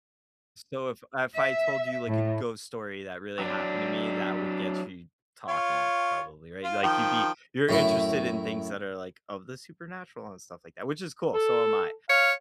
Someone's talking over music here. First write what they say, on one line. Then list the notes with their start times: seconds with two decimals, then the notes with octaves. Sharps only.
So, if if I told you, like, a ghost story that really happened to me, that would get you talking probably, right? Like, you'd be you're interested in things that are, like, of the supernatural and stuff like that, which is cool, so am I.
1.36 E5
2.08 A2
3.39 F#3 D4
5.48 F4 C#5
6.64 F4
6.83 D#3 F3 G5
7.69 F#2 A2 E4
11.34 A4
12.09 C#5 F5